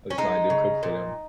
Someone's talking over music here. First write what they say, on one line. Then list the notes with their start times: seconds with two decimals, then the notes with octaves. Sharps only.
at least when I do cook for them.
0.10 C#4
0.18 G#3 D#4
0.50 C#3
0.83 A#2